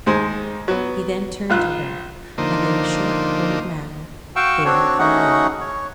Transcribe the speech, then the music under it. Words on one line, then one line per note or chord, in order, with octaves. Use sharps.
He then turned to her, and in a short cold manner, bade her farewell.
D#2 G#3 C5
F#3 B3
A#1 F4 F#6
D3 F3 A#3 D#4 C5
F#4 F5 G5 C#6 E6
C4 D4 F#4 C#5
A3 C#4 D#4 F#4 G#4 F#5
C#5